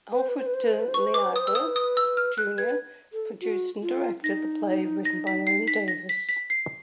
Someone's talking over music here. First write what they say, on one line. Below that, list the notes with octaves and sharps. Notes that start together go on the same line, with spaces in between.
Alfred De Liagre, Junior produced and directed the play written by Owen Davis.
B4
C5
B4
C5
B4
C5
B4
C5
B4
C5
B4 C#6
C5
B4 D6
C5
B4
C5 D#6
B4 E6
C5 D#6
B4
D#6
E6
F6
F#6
B4 G#6
A4
F#4
F4
D#4 A#6
A#6
B6
C7
B6
A#6
B6
B6
C7